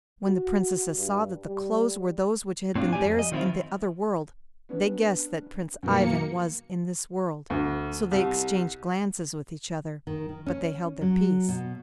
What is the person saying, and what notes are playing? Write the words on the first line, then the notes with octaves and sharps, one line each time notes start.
When the Princesses saw that the clothes were those which had been theirs in the other world, they guessed that Prince Ivan was in this world, so they exchanged glances with each other, but they held their peace.
F#4
G2
G3
A2 C4 D4 F4
G4 D5 G#5
F2
D#5
D#3 F3 C4 C#4 E4 F4
B3 C#4 D4
F#2 B2 D#3 A#3 C#7
D2
C2
D#3
D#3
C#4
F#3
B2